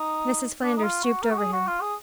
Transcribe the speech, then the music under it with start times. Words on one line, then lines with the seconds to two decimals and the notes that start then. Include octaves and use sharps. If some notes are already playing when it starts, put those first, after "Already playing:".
Mrs. Flanders stooped over him.
Already playing: D#4
0.63 D4
0.77 D#4
0.83 F4
1.03 F#4
1.22 A#4
1.31 F#4
1.38 G#4
1.52 F#4
1.67 F4
1.81 G#4